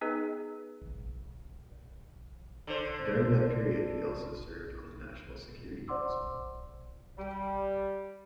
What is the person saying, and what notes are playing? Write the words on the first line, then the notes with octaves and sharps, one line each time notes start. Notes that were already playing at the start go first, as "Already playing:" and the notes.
During that period, he also served on the National Security Council.
B3 D#4 G#4 B4 D#5
D3 C5
C5 D5 F#5 C6 D6 E6
G3